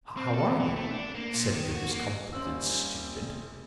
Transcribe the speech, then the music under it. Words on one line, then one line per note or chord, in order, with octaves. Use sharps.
'How are you?' said the discomfited student.
C4
A4
E2
E3
A3
D4
A#3
A#2
D#3
F#4
A#3
A#1 G3 C#4 F4 C5 C6 E6 F#7